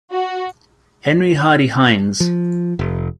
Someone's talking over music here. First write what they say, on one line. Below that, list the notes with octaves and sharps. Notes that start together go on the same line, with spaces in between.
Henry Hardy Heins.
F#4
F3
F1